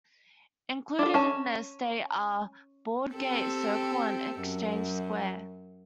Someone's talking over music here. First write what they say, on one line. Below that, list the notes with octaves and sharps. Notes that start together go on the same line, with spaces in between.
Included in the estate are Broadgate Circle and Exchange Square.
D4 A4
C#4 A5
C4 G4 A4
F#2